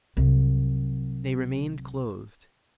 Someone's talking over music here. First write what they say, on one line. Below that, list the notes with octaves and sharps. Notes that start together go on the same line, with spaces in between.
They remained closed.
C2 F#3